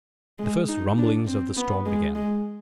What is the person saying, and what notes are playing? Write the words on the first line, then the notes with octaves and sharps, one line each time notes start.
The first rumblings of the storm began.
G#3
D#4
D4
C4
B3
G#3
G#3